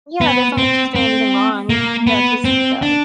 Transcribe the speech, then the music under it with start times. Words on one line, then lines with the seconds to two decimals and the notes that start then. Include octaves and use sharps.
Yeah, that's not like she's doing anything wrong. Yeah, it's just yeah.
0.21 B3
0.58 C4
0.95 C4
1.70 A#3
2.07 B3
2.45 C4
2.82 D4